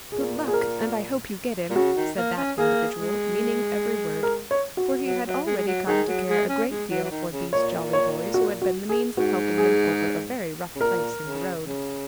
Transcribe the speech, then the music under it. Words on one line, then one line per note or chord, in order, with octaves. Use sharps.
"Good luck, and I hope you get him!" said that individual, meaning every word, for he had already come to care a great deal for these jolly boys who had been the means of helping him over a very rough place in the road.
A#2 G#4
G#4
A#4
A#2
C#3 F#4
D#3
A#3
C#4
A#3 G#4
G#3
A#4
C#5
F#4
F#3
F#3
G#3
G#3
F#3
D#3 G#4
F#3
G#3
C#4
G#3
F#3
F#3
D#3
C#3
A#2 C#5
C#5
F#4
F#4
G#4
G#2 F#4
G#4
C#3
A#2 A#4
C#3
C#3